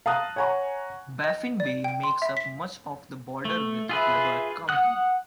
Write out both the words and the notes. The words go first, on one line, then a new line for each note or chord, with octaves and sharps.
Baffin Bay makes up much of the border with Kleberg County.
F5 A5 A#5 D#6 F#6
C#5 F#5 G#5 A#5 C#6
D#5
D5
G5
C6
E5
B6
A3
F4 G#4 B4 E5
F#5 D#6 F#6